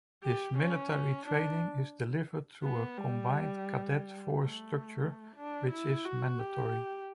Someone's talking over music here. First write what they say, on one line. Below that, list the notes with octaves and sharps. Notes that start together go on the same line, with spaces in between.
This military training is delivered through a Combined Cadet Force structure which is mandatory.
G4
C#4
D4
B3
G3
A3
D4
E4
F#4
G4